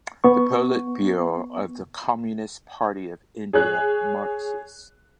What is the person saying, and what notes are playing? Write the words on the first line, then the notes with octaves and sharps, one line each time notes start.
The Polit Bureau of the Communist Party of India Marxist.
B3 C#6
G#4 C#5 F#6